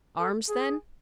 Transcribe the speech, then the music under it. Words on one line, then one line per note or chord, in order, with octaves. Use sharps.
"Arms, then?"
A4
G#4